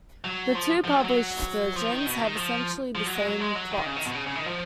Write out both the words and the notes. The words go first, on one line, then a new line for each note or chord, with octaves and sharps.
The two published versions have essentially the same plot.
F#3
F3
F3
F#3
F#3
F3
D#3
B2
D#3
F3
F3
F#3
G#3
F#3
G#3
F#3
D#3
C#3
D#3
B2
C#3
C#3
D#3
F3